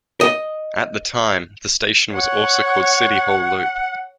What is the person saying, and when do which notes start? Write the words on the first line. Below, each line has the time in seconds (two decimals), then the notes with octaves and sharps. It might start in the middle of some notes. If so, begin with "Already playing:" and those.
At the time, the station was also called City Hall Loop.
0.21 D#5
2.14 C#5 F#5